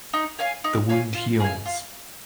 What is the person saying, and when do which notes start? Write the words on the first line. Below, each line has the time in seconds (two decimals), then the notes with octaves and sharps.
The wound heals.
0.13 D#4
0.39 C#5 F5 G#5
0.64 D#4
0.89 C#5 F5 G#5
1.14 F4
1.40 G#4 F5 G#5
1.66 F4